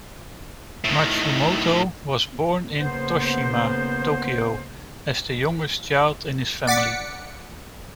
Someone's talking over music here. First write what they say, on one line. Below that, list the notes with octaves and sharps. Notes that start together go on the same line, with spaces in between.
Matsumoto was born in Toshima, Tokyo, as the youngest child in his family.
A2 D#3
C#3 A#3 B3 C5
D5 F#5 D6 B6 C#7